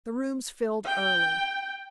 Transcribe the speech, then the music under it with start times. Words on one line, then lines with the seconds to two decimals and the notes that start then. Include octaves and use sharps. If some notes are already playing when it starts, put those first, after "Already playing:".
The rooms filled early.
0.85 G5